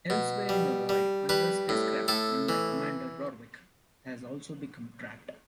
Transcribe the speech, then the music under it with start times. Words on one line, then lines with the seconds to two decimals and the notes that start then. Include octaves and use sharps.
Elsewhere in the void, another spacecraft, run by Commander Rorvik, has also become trapped.
0.10 B2
0.49 G3
0.89 G3
1.29 G3 B4
1.69 A2
2.08 A2 A4
2.49 E3